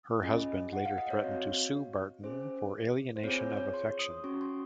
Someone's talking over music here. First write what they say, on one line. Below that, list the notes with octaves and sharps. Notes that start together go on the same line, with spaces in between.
Her husband later threatened to sue Barton for alienation of affection.
C#4 F4 G#4 D#5
F#5
F5
D#5
C#5
C4 F#4
C#4 G#4 C5
C5
C4 F4 G#4 C#5
C#5
C#5
C6
D#6
C#4 F#4 C#6
C6